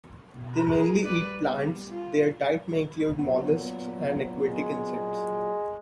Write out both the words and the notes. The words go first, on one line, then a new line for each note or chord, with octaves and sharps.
They mainly eat plants; their diet may include molluscs and aquatic insects.
B2
G#4 A#4
G3 B4 D5
G3 B3
F4
A#2 F#3 B3
G#3